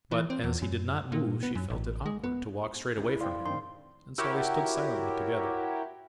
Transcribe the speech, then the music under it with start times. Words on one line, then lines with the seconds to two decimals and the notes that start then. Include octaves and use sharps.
But as he did not move she felt it awkward to walk straight away from him; and so they stood silently together.
0.11 E3
0.30 C4
0.44 E2
0.62 F#2
1.12 A#2
1.43 B3
1.55 F#2
1.70 A1
2.06 G#3
2.24 B3
2.97 C#2
3.09 E4
3.21 E4 C5 D5 F5 G5 C6
3.46 D#3 C4 C6
4.18 E4 F#4 G4 A#4 C#5